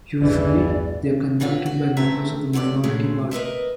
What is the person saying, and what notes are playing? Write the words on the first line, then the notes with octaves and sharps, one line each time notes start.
Usually, they are conducted by members of the minority party.
A1 E2 G2 B2 E3 D5
C#3 E3 F4 F#4 D5
F#4
E3 A3 C4 E5 A#5
E3 F#3 A3 C#5 D5
A#2 C#3 F#3 G#3 A3
A#4 B4 D#5 E5